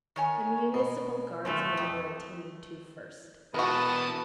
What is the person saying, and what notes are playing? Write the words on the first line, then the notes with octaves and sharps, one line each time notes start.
The municipal guardsmen were attended to first.
D#3 C#5 G#5
B2
F#2 A#2 D#3 A3
F2
E2 B2 F#4 A#4 B4 A5 D#6